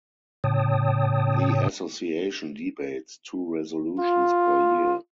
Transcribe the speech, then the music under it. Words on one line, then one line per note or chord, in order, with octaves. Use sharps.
The association debates two resolutions per year.
A2 C#3 C#5 G5 A5 D#6
F4